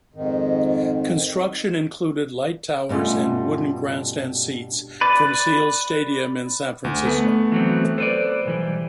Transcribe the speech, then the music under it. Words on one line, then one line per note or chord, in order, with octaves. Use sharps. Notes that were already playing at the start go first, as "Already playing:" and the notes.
Construction included light towers and wooden grandstand seats from Seals Stadium in San Francisco.
F2 G#2 D#3
G2 B2 A3 C#4 F4
B4 D5
D2
A3 B3
E3 F#3 C4
A4 B4 C5 D5
B1 E3 G3